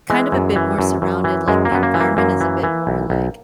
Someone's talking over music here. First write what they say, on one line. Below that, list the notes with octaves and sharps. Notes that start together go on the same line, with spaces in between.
kind of a bit more surrounded, like, the environment is a bit more like
E3 G#3
F#2
E3
F#2
F#2
E3
F#2 G#3
A#3
F#2 B3
A#3
E3
A#3
F#2 A#3
E3
E3
B1
B1